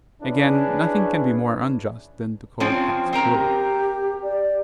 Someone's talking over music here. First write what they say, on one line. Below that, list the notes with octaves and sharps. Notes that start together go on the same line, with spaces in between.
Again, nothing can be more unjust than to call Cats cruel.
C#4 D4 E4 G#4 B4
F3 C4 C#4
C4 A#4 A#5
G4
D5